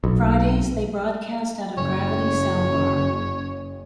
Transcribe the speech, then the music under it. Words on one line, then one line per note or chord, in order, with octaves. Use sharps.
Fridays they broadcast out of Gravity Soundbar.
B1
F#1 C#4 C#5